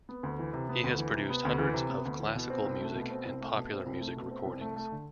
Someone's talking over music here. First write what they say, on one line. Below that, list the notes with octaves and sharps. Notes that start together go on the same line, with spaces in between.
He has produced hundreds of classical music and popular music recordings.
B3
D2
E3
C3
B3
D2
E3
C3
B3
D2
E3
C3
B3
D2
E3
B2
C4
C2
A3
B2
C4
C2
A3
B2
C4
C2
A3
B2
C4
C2
A3
A3
D3